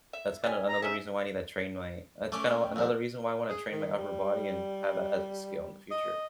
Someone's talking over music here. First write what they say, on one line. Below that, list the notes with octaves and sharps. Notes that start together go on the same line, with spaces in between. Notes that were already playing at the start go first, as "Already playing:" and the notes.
that's kinda another reason why I need to train my that's kinda another reason why I wanna train my upper body and have that as a skill in the future.
E5
G3 G#5
A#5
C#4 D#4 E5
A3 C#4 D6
G#5
G5
F2 G#2 A#4
G#4
D#3
G3
D#5